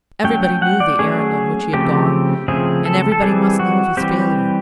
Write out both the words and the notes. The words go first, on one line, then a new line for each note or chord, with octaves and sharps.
Everybody knew the errand on which he had gone, and everybody must know of his failure.
F#3 A3 C#4 G5
G5
F#5
D5
F#3 A3 C#4 G#4
C#3 F3 A3 C4 G4
C#3 F3 A3 C4 G#4
A4
A4
E3 G3 C4 G#4
F#4
E3 G3 C4 G4